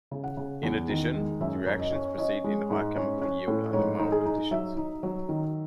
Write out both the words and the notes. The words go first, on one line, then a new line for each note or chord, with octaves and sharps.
In addition, the reactions proceed in high chemical yield under mild conditions.
C#3
F#5
C#3
E2
D#3
G#3
F#2 E5
F#2
D#5
C#4
C#4 D#5
G#3
G#2
C#4
C#4
A2
G#2 C#5
D#4
G#4
D#4
F#3 E5
D#4
F#3
D#3